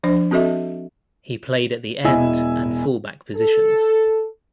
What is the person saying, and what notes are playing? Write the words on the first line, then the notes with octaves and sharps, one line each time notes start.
He played at the end and fullback positions.
F3 D4 C5
C4 F#4 A4 D#5 E5
E1 E4 D#5 G#5 E6
A4